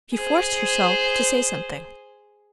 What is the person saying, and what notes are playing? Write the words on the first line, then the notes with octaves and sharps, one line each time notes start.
She forced herself to say something.
G#4 C5